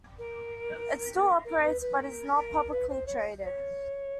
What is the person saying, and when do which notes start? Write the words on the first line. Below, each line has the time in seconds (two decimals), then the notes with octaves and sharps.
It still operates, but is not publicly traded.
0.19 A#4
1.45 A#4
1.63 B4
1.81 B4
1.99 A#4
2.36 A#4
2.71 B4
2.89 C5
3.07 C#5
3.39 D5
3.44 C#5